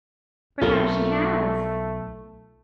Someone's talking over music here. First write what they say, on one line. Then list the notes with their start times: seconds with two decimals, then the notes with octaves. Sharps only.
Perhaps she has.
0.61 B1 A3 F4 A4 A#4